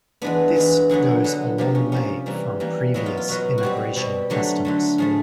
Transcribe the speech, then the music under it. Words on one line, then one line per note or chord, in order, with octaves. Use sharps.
This is goes a long way from previous immigration customs.
E3 G#3 B3 D4
E3 G#3 B3
D3 F#3 B3 G#4
D3 F#3 B3
C3 F3 A#3 G4
C#4
C3 F3 A#3 C#4
E3 G3 A#3
E3 G3 A#3
B2 F#3 B3 E4
F4
F4
B2 F#3 B3 F#4
F#4
B2 G3 C4 G4
B2 G3 C4
D3 F#3 A3 G4
D3 F#3 A3
A2 F3 A3 G#4